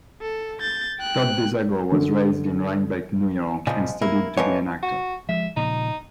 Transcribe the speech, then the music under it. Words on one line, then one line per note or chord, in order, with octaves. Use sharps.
Todd Dezago was raised in Rhinebeck, New York and studied to be an actor.
A4
G6 A6
G5 F#6
D3
A#2 C#3 F3 G#3
A#3 E4
B2 E3 F3 C#5
F#4
F3 G#3 E5
A#2 C#3 F3 D#4